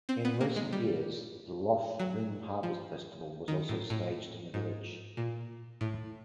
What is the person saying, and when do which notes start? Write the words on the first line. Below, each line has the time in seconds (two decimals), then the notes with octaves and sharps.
In recent years the Lough Rynn Harvest Festival was also staged in the village.
0.09 C4
0.25 B3
0.41 A#3
0.56 G#3
0.73 G3
1.99 F#3
2.63 F3
3.48 D#3
3.69 A2
3.90 A2
4.54 G#2
5.17 A#2
5.81 A2